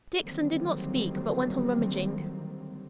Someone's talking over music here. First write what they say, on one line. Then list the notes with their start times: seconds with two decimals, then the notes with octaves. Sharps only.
Dixon did not speak, but went on rummaging.
0.19 D3 D#3 F#3 G3 A#3 C4